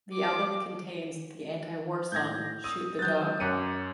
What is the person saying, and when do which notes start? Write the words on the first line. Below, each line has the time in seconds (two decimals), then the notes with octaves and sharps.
The album contains the anti-war song "Shoot the Dog".
0.12 D6
2.12 A2 G6 G#6 A#6
2.64 D#6 E6 D#7
2.99 F#3 D#6 F#6 G6 A6
3.40 F#2 C#5 D6 F#6 C#7 D#7